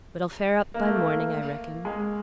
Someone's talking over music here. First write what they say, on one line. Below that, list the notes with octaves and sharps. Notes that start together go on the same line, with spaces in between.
It'll fair up by morning, I reckon.
A#3
A3
A#3
G#3